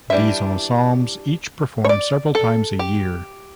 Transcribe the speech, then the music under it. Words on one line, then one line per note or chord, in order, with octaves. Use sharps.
These ensembles each perform several times a year.
E3 G3 D4 E5
C#5
D5
A4
G4